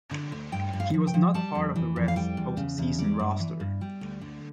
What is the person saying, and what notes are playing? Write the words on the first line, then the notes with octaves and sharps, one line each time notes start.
He was not part of the Reds' post-season roster.
D3
D2
G2 G5
G2
F5
F3
G5
F3
G3 A5
F2
E3
F2
F5
G3 G5
E2
C#3
E2
G3 D5
G2
E3
G2
G3
D2
D3